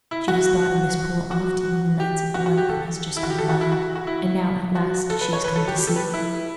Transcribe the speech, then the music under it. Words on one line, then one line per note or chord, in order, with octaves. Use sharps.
She has thought of this pool often in the nights of the month that has just gone by, and now at last she is come to see it.
E4
F#4
F#4
G4
F#4
F#4
G4
A4
E4
F#4
G4
A4
F#4
E4
F#4
F#4
E4
F#4
A4
B4
C#5
B4
A4
G4
G4
A4
B4
E4